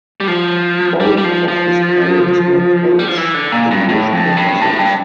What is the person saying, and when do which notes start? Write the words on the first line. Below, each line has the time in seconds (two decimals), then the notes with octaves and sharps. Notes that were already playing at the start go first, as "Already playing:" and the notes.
Both of his parents were college English professors.
0.20 G3
0.28 F3
1.00 G3
1.18 G3
1.24 F3
1.48 F3
2.99 G3
3.08 F3
3.17 E3
3.34 D3
3.52 A#2
3.71 G2
3.89 A2
4.13 F2
4.37 G2
4.61 A2
4.79 G2